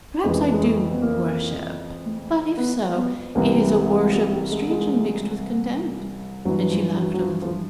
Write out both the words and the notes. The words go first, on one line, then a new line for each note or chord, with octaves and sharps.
Perhaps I do worship; but if so, it is a worship strangely mixed with contempt.' And she laughed a little.
F2 C#3 E3 G#3
G#3
A3
B3
A#3
B3
B3
C2 C3 E3 A#3
A3
F#3
G3
G#3
G#3
G2 E3 F#3
F#3
F3
F#3
F#3
F3
F3